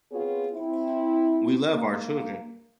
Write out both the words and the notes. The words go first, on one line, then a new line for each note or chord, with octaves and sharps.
We love our children.
B3 C4 F4 G#4 C#5
C4 E4
A#3